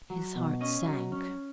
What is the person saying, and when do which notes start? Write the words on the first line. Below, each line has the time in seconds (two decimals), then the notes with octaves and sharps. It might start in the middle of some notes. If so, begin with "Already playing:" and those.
His heart sank.
0.10 F#3
0.35 B2
0.61 C#4 D#5
0.87 F#3
1.12 C#4